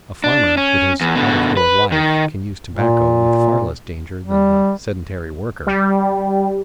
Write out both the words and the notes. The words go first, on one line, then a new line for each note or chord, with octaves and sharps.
A farmer with his out-of-door life can use tobacco with far less danger than the sedentary worker.
D4
C#4
E2
B2 D3
B4
D#3
A#2
G3
G3